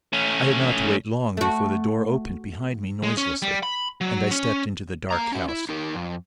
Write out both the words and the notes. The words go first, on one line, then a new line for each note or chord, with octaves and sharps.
I had not to wait long before the door opened behind me noiselessly, and I stepped into the dark house.
A3 C#4
A3 F#4
G#3
C#4
G3
B5
F#3
C#4
A#3 A#5
C#4 F#4
E4
D#4 G4 A#4
F2